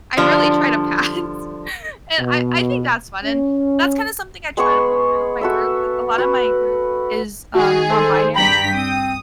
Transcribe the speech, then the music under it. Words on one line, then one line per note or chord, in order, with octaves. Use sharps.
I really try to pass. And I I think that's fun, and that's kind of something I try to pull through with my group, like, a lotta my group is, um, non binary.
D3 F3 G3 D4
B2
C#4
G#3 B3 G#4 C#6
F#4 A4 E5
F#4 B4
D#3 F#4 G#4
A4 C5
G2 G5 A#5 B5 B6
C4 D#6